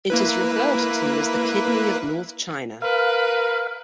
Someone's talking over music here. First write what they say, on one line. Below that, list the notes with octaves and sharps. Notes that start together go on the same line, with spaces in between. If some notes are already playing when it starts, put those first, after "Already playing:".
It is referred to as the Kidney of North China.
A#3 E4 B4
A#4 B4 F5